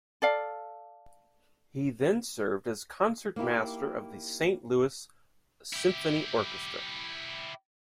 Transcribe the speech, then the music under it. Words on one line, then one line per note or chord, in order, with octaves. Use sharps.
He then served as concertmaster of the Saint Louis Symphony Orchestra.
A4 D5 F5
A#3 D#4 E4 G4
E4 G4